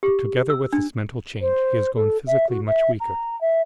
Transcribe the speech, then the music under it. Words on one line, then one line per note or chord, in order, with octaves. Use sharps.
But together with this mental change he has grown physically much weaker.
G4
E6
D4
C5
A4
E5
F#4
E5
A#5
E5